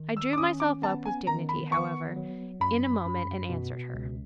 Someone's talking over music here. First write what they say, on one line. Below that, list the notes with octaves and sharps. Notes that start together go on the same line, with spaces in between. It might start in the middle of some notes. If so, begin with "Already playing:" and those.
I drew myself up with dignity, however, in a moment and answered her.
Already playing: D#3
E6
D6
C#4 D#6
D6
B3 A5
G#5
D#3 A#5
B5
B3 C#6
F#3
F#2 B5
F#2
B2
C#2